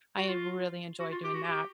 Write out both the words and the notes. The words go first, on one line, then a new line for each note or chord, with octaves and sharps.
I really enjoy doing that,
F#4
F4
F#4
F4
G4
F#4
G4